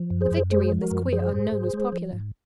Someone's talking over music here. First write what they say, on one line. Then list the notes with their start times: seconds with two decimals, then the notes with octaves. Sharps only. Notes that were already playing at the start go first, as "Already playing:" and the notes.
The victory of this queer unknown was popular.
Already playing: F3
0.10 F#2
0.21 G#4 C5
0.31 F#2
0.51 G#3 G#4 C5
0.72 F3
0.81 F#4 A#4
0.91 F#2
1.12 F3 G#4 C5
1.33 G#2
1.52 G#2
1.73 G#3
1.92 F3
2.13 G#2